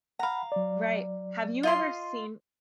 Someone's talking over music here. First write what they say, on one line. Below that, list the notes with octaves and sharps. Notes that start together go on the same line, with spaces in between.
Right, have you ever seen
F5 F#5 A#5 B5
F#3 D5
F4 D#5 C6